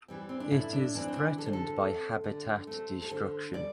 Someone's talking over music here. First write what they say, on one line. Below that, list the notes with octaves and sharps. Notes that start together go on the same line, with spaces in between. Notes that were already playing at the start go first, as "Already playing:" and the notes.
It is threatened by habitat destruction.
E3 G3 C4
C4
D4
A2 E4
D4
E3 C4 D4
C4
D4
D3 A4
C5
A4
C4
D3
A3 C4
A4
D3 C5
G3 D5